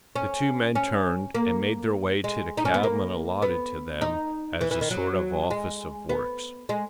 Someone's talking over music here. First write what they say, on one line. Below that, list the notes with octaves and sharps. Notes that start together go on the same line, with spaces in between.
The two men turned and made their way to the cabin allotted to them as a sort of office of works.
C#4
C#4
A#3
G#3
D#4
C#4
B3
A#3
B3
D#4
E3
E3
D#3
F#3
G#3
B3
G#3